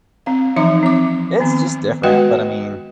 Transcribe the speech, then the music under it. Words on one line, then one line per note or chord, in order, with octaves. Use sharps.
it's just different, but, I mean,
C4 F5
E3 F3 D#4 C#5 E5 A#5
C4 D6
D#3 B3 C4
G#3 F#4 B4 D#5 F#5 G5